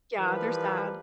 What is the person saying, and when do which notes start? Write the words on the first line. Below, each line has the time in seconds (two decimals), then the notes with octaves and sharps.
Yeah, they're sad.
0.18 E3 F3 G3 A#4 B4